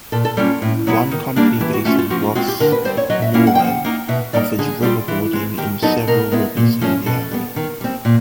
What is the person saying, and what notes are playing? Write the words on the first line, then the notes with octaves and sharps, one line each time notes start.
One company based in Voss, Norway, offers riverboarding in several rivers in the area.
A#2 A4
A4
G3 A#3 C#4 F4 A4
A2
F#3 B3 E4
D#3
G3 A#3 D4
E3 G4
F#4
A3 C#4 F4 F#4
F4
F3 F#4
F4
G#3 C4 F4 F#4
G4
D3 A#4
B4
G3 C4 C5
C#5
F#3 D#5
E5
A#3 C#4 E4 F5
F#5
F3 G5
F#5
A#3 D#4
B2 E5
G3 A#3 D#4 D5
D3 G#4
G3 C4 F4
E3
G#3 C4
D#3 G4
F#3 B3 D#4 A4
B2 A#4
G#3 B3 E4
A#2
F3 A3 C#4
B2 A4
G3 B3
D#3
G3 C4
A#2